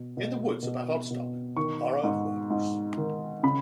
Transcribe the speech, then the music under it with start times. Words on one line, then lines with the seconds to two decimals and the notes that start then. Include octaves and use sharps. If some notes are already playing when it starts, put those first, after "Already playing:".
In the woods about Odstock are earthworks.
Already playing: B2
0.17 B2
0.63 B2
1.10 B2
1.57 D#3 C#6
2.04 G#2
2.50 G#2
2.97 D#3
3.43 C#3 B5